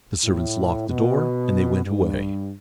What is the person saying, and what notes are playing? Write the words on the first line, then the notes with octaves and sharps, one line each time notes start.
The servants locked the door, and they went away.
A2
B2
G2